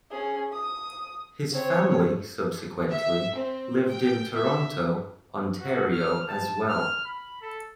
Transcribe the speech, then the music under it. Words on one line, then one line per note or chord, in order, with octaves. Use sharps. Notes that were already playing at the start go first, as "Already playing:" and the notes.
His family subsequently lived in Toronto, Ontario as well.
C#4 G#4
D#6
C4 C#5
E5
C4
G5
E5
F#4
F6
A5
F6
B5
A4